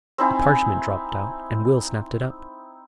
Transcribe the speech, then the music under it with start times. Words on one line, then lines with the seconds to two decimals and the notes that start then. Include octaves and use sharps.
A parchment dropped out and Will snapped it up.
0.18 C4 D#4 E4 G#5